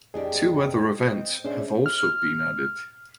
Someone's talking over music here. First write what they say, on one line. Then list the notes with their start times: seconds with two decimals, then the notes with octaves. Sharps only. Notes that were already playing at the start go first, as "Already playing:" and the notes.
Two other events have also been added.
0.14 F2 D4 G4 G#4 D#5
1.03 C4 D#5
1.44 C#4 D4 G#4 C5 E5
1.86 F6